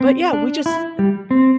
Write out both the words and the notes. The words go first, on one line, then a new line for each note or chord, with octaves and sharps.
but, yeah, we just
C4
D4
E4
G3
C4